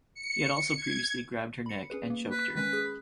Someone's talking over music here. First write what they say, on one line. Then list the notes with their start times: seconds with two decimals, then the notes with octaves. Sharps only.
He had also previously grabbed her neck and choked her.
0.14 C#7
0.76 G#6
1.66 B5 C#7
1.90 C#4 G#4 B4
2.10 A#3
2.31 B4
2.55 D#3 G#3 C#4 B4
2.73 G#4 B6